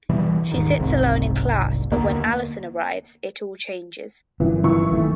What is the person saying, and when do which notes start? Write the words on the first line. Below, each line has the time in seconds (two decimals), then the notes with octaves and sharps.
She sits alone in class, but when Alison arrives, it all changes.
0.09 B2 E3 G3
0.52 D#1 G#2 D#3
0.78 F#1 C2 G#2 C4
1.91 D#2 D3 A#3 B3
4.40 G1 F#2 E3
4.64 E3 C#6 E6
4.92 F#1 D#3 A3